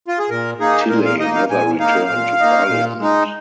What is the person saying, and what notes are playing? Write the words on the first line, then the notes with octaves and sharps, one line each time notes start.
Tilley never returned to Parliament.
F4
G#4
A#2 A#4
A#3 D#4 G#4
A#2 A#4
F5
A#3 D#4 D#5
F5
A#2 G#5
A#3 D#4 F5
A#2
A#3 D#4
A#2
G#3 D#4